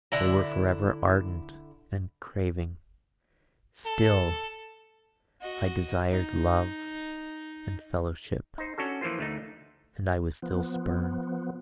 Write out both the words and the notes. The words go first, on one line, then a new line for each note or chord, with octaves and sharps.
They were forever ardent and craving; still I desired love and fellowship, and I was still spurned.
D3 D4 E4 A#5
A4
F#4 D#5
D#4
D#4 C5
C#4 D4 F#4 A4
E3 F3 A#3 F4 C5
D2 A3 D#4
F3 B3